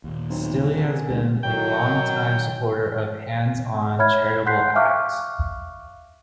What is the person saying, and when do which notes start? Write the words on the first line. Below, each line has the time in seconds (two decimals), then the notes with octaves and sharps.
Stilley has been a long time supporter of hands on charitable acts.
0.04 D#2 A#2
0.30 B1 C4 G#5
0.77 C4 G#4 A#4
1.09 F1 D2 G#3
1.43 D#3 F#3 G5
3.99 C#5 E5 B5 F6 G#6
4.46 F#5 C6 F#6 G6 B6 C7
4.75 E5 F5 C#6 D6 F6 F#6